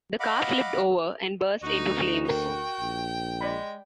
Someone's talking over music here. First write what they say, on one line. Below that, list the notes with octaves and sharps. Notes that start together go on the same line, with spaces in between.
The car flipped over, and burst into flames.
D#5 F5 F#5 B5 D6
D2 D#4 F#4
A#4 G5
A#1
G#3 D5 B5